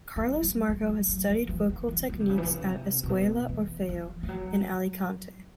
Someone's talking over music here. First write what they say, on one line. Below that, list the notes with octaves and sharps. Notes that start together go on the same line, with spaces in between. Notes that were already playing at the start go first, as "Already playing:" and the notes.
Carlos Marco has studied vocal techniques at "Escuela Orfeo" in Alicante.
G3
G3
G3
F#3
F#3
F3
E3
D#3
E3
D3
C3
C#3
E3
D#3
D3
C#3
C3
A#2
B2
E3
F3
F3
F#3